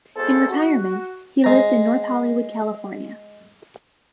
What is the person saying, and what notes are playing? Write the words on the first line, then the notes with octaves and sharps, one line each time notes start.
In retirement, he lived in North Hollywood, California.
G#1 E2 B2 G#4 A4 C5
F#4
G#3 A#5